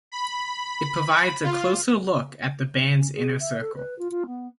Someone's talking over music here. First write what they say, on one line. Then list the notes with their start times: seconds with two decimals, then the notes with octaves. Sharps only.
It provides a "closer look at the band's inner circle".
0.12 B5
1.43 F4
2.93 C#4
3.14 G#4
3.39 E5
3.59 A4
3.75 B4
3.98 F4
4.10 F4
4.26 B3